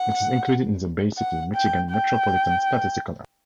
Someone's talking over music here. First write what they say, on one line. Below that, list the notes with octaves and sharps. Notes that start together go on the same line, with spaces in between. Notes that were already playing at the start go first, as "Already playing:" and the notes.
It is included in the Bay City, Michigan Metropolitan Statistical Area.
Already playing: F#5
F#5
G5
G5